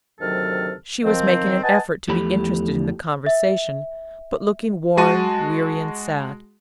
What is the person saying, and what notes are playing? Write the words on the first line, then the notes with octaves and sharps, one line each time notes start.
She was making an effort to be interested in the conversation, but looking worn, weary, and sad.
D2 C3 D#3 F#3 A4 F6
D#3 F3 C4
B4 D#5 F#5 G#5 A5
E2 F3 A3 G4 B5
E5
G#3 F#4 A5 D#7